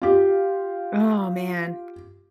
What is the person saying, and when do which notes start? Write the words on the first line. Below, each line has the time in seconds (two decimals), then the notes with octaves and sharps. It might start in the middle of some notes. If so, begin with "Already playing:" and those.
Oh, man.
0.02 F4 G4